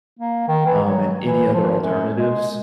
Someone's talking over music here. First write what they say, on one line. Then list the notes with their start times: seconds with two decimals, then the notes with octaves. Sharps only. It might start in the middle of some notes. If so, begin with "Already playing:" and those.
um, and any other alternatives
0.19 A#3
0.48 D#3
0.66 E3
0.86 F#3
1.23 E3
1.54 F3
1.80 F#2
2.17 G#3